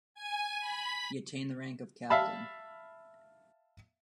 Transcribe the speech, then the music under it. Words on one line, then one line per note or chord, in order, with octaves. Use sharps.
He attained the rank of captain.
G#5
B5
E5 F5 A5 B5